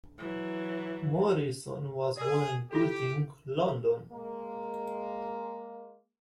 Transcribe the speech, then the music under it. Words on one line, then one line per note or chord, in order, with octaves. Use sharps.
Morrison was born in Tooting, London.
E3 F#3
G#4 A#4 D5
E4 F4 G4 A4
G#3 A#3